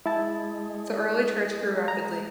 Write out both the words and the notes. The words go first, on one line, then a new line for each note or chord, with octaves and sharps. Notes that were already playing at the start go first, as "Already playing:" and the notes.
The early church grew rapidly.
G#3 E4 A5
A#5